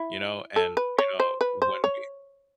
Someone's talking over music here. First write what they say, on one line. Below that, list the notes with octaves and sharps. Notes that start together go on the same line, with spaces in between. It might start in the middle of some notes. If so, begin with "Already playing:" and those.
you know, and, you know, when we
Already playing: E4
A4
B4
C#5
C5
B4
C5
C#5